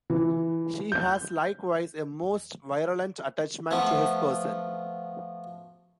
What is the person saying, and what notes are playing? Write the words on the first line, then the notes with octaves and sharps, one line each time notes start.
She has likewise a most virulent attachment to his person.
E3
G6
F3 A3 B3